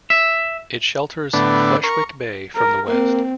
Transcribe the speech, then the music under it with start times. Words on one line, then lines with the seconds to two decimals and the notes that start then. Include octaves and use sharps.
It shelters Fleshwick Bay from the west.
0.10 E5
1.33 A2 D3 B3 D4
1.84 A#4 C#6
2.55 A#4
2.87 A#3 C4